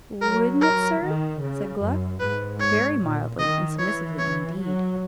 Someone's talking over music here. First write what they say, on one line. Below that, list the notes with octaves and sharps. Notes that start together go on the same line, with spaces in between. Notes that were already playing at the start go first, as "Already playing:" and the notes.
"Wouldn't it, sir?" said Gluck, very mildly and submissively indeed.
F#3 A#4
A#4
D#3
C#3
F#2
G#2 B4
C#5
A#2
D#3 D#5
E3 C#5
C#5
F#3